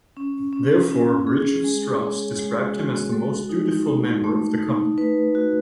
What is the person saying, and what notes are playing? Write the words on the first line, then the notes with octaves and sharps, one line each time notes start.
Therefore Richard Strauss described him as the most dutiful member of the company.
C#4
C#4
C#4
G#4
G#3
C#5
G#3
F#4
A4
D#4
A3
A3
D#4
B4
F#4